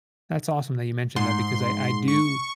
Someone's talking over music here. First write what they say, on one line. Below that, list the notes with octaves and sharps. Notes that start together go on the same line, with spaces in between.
that's awesome that you mentioned that because I I do,
G#2 C6
C#6